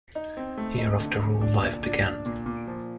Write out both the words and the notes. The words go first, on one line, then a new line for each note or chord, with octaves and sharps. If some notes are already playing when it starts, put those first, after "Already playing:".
Here, after all, life began.
D#4
C4
A3
D#4
D3
D3
D4
A#2
D4
D4
A#2
A#2
F3